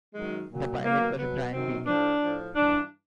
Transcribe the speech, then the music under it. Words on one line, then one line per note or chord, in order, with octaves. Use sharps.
The pilot was Brian Binnie.
F#2 D#3 F#3 G#3
A#2 F#3
B2 F#3 A#3
B2 F#3 B3
F#2 D#3 F#3 C4
A2 F3 D4
A2 F3
G2 E3 D4